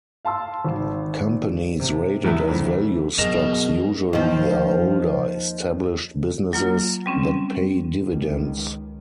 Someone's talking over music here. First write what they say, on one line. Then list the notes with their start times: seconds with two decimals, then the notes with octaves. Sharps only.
Companies rated as value stocks usually are older, established businesses that pay dividends.
0.25 F5 A5 C6 E6
0.65 G#1
1.80 C3
2.24 E2 E4
2.48 F2 D3
3.18 F#2 B2 G#4 A#4 D#5 A#6 E7 F7
4.13 D#2 F3
6.53 F#3 A#3 F4
7.06 G3 C4 C#4
8.10 C#2 D#3